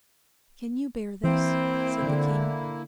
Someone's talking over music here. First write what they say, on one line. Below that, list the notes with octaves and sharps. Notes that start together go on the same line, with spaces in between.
"Can you bear this?" said the king.
E3 A#3 C4 E4
D3